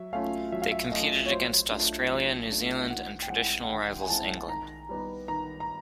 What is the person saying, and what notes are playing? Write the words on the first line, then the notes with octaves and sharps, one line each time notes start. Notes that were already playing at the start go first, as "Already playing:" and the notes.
They competed against Australia, New Zealand and traditional rivals England.
Already playing: F#3 E5
A3 C#4 F4 F5
F#3 E5
F5
E5
A3 C#4 F4 D#5
C#5
F#3 C5
A3 D4 F4
F#3
A3 D4 F4
D#3 F#5
G5
G#3 C4 E4 F#5
F#5
D#3 G5
G#5
G#3 C4 E4 A5
D#3 A#5
G3 B3 D#4
D#3 A#5
A#5